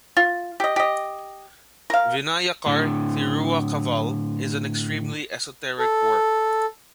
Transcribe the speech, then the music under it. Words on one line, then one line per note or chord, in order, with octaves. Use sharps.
Vinayakar Thiruakaval is an extremely esoteric work.
F4
G4 D#5
G4 D#5
A#4 F5
A2 D3
A4